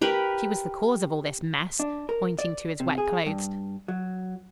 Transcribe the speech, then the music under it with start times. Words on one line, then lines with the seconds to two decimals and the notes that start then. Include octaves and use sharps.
"She was the cause of all this mess," pointing to his wet clothes.
0.01 G4 A#4 B4
1.80 D4
2.09 A#4
2.39 D5
2.80 C3
2.98 G#4
3.27 G2
3.88 F#3